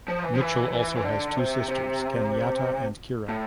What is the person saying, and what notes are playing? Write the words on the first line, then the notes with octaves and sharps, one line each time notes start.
Mitchell also has two sisters, Kenyatta and Kyra.
F3
E3
F3
E3
E3
E3
D3
C3
C3
A2